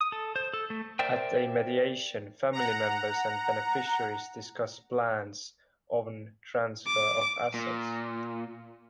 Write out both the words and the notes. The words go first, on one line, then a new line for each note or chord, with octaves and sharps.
At a mediation, family members and beneficiaries discuss plans on transfer of assets.
D#6
A4
C5
A4
A3
A#4 C5 D5 E5 G5
F#5 A#5
D6
A#2